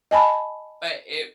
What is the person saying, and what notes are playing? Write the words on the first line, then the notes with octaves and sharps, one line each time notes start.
But it
D#5 G#5 A5 B5